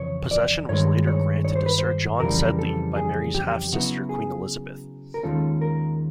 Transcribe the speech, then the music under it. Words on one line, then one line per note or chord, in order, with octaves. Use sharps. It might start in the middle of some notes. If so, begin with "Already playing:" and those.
Possession was later granted to Sir John Sedley by Mary's half-sister Queen Elizabeth.
Already playing: F2 C#3 E3 C#5
D5
G2 D#3 G#3 C#5
C#5
C#5
C5
B4
C5
F2 C#3 E3 G3 A#4
A4
G#4
G4
C#3 F#3 B3 E4 F#4
G#4
A#4
D#2 D#3 G#3 C#4 F4 A4
A#4